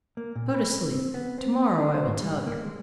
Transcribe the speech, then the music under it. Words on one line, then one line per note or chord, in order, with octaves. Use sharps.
Go to sleep; to-morrow I will tell you.'
A#3
A#2
B4
C4
B3
C4
D4
C5
G#2
G3
A#3
G#3